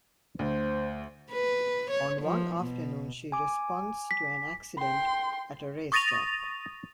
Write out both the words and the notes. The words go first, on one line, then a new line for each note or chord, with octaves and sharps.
On one afternoon, she responds to an accident at a racetrack.
D2 C5
B4
C#5
F3
B2
G#5 D6
B6
G5 C6
C#6 D#6 A6 A#6 D#7 F7